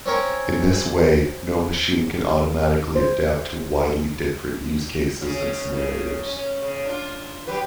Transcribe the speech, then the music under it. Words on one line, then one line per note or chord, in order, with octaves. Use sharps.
In this way NoMachine can automatically adapt to widely different use-cases and scenarios.
C4 C#4 A#4 C#5
C5
C#3 C#4
C#3
C#4
C#3
D4 F4
F#3 G4 B4